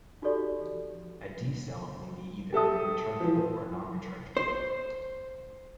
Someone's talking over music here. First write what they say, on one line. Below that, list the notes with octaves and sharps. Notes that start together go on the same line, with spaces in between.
A D cell may be either rechargeable or non-rechargeable.
D#4 F#4 G4 A4 D5
G4 A4 E5 D#6
E3 F3
C5